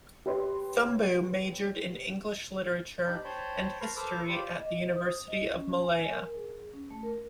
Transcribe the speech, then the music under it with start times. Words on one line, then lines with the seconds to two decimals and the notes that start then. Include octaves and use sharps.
Thumboo majored in English literature and history at the University of Malaya.
0.26 G4 B4 C#5 C6
3.06 D4 D#4 G4 B5 G6
3.24 C5 C#5 G5 A5 B5
3.81 A#4 B4 A5 A#5 C6 C#6
3.96 A4 B4 C5 D6 F6
4.29 F4 G4 C5 D5 B5
4.61 D#5
4.84 C5
4.96 D#6
5.28 D#5
5.55 C#4
5.82 G#5
6.12 A#4
6.36 G#4
6.73 C#4
6.91 A3
7.03 A#4